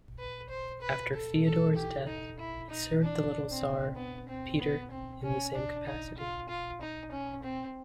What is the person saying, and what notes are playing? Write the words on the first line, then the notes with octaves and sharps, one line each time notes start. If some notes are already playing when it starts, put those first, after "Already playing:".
After Feodor's death he served the little "tsar" Peter in the same capacity.
B4
C5
B4
A4
A4
G4
D#4
E4
D#4
D4
C4
B3
C4
B3
C4
C#4
D4
D#4
F4
F4
D#4
C#4
C4